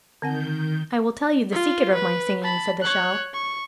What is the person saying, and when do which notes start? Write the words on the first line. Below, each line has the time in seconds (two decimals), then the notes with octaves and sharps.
"I will tell you the secret of my singing," said the shell.
0.22 D3 D#3 C4 F#5 G6
1.52 F4
1.94 B4
2.44 A5 B5
2.82 C#5 F#6
3.34 C#6